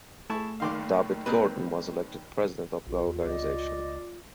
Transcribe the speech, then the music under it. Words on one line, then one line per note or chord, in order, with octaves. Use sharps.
David Gordon was elected president of the organisation.
A3 E4 G#4 A5 C#6 E7
F#1 D#3 D#4 F5 C6 D6
G#3 A#3 C4 B4
A#1 F4
E2
C#2 D5 D#5